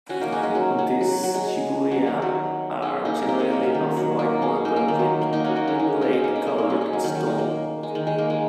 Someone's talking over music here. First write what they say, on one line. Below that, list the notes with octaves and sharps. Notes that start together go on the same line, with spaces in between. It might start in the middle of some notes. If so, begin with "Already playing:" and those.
These "ciboria" are generally of white marble, with inlaid coloured stone.
C#4 F#4
A#3 D#4
G#3 C#4
G#3
F#3
F#3
F#3
F#3
G#3
F#3
D#3
F#3
G#3 C#4
A#3 D#4
A#3 D#4
G#3 C#4
A#3
F#3
D#3
F#3
A#3
G#3 C#4
A#3 D#4
A#3
D#3
F#3
A#3
A#3 D#4
C#4 F#4
A#3 D#4
G#3 C#4
G#3
A#3 D#4
G#3 C#4
A#3
G#3
A#3
A#3
G#3 C#4
G#3
F#3
D#3
F#3
G#3
A#3
G#3
D#3
G#3
A#3
G#3